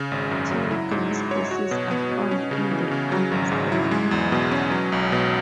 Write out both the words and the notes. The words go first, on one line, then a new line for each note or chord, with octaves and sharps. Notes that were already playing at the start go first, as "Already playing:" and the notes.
Tallgrass species are found in the understory layer.
Already playing: C#3
G#1
F#2
F#3
E4
G#2
G#3
C#5
F#4
B2
B3
B2
C#4
C#3
E3
C#3
F#3
G#1
G#2
E4
G#3
E2
B2
C#4
F#3
B1
B2